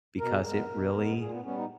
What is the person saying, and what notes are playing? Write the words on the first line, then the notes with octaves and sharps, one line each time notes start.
"because it really"
B2 A#4
G#4
G#3 B3 A#4
B2
G#3 B3
A#2 G#4
B3
G3 B3 C#4
D#4